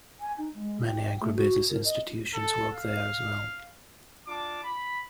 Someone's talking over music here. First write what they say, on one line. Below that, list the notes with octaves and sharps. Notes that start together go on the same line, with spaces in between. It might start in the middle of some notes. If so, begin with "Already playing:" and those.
Many agribusiness institutions work there as well.
G#5
D#4
G#3
G5
A3
F#4
A#4
D#5
A4
F5
D4 F4 A5 D6
B5